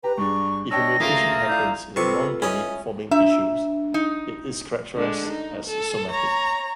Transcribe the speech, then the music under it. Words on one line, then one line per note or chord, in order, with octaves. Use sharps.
If a mutation happens in the non-gamete forming tissues, it is characterized as somatic.
G4 B4 A#5
G2 D4 G#4 C#6
D4 C#5 D#5 G5 E6 A#6
D2 C#3 A3 A#3 F4 D#6 B6
E4 D5 F5 G6
C3 F4 A4 B4 C#6
E3 C#4 D#5 B5
D4 E5
D#4
D3 G#3
D#4
A4
C#5 A#5